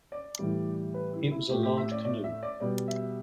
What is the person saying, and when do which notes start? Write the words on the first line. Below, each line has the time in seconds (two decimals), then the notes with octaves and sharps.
It was a large canoe.
0.12 D5
0.39 A2 E3 G3
0.94 B4
1.13 E4
1.31 E4
1.49 A2 A3 G4
1.63 G4
1.77 E5
1.92 D5
2.05 D5
2.24 E5
2.43 D5
2.60 B2 G3 B3 D5
2.88 E5